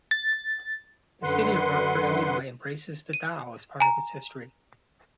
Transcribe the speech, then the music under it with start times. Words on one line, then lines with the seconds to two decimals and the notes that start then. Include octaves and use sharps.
The city of Rockford, Illinois embraces the doll as part of its history.
0.11 A6
1.23 F#2 D3 B4 F#5 C6
3.13 D#7
3.80 G#5 A#5